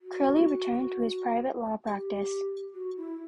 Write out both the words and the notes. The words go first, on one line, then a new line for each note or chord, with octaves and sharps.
Curley returned to his private law practice.
F#4
G4
F#4
E4